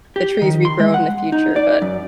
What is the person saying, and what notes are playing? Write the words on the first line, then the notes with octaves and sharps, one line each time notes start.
the trees regrow in the future, but
G4
D#3
C6
G#3
F#5
D#4
D5
F#2